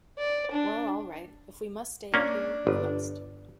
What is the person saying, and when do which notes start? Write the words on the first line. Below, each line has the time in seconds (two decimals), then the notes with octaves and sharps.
Well, all right. If we must stay out here, we must.
0.18 D5
0.51 D4
2.14 A#3 C#4 D4
2.67 G1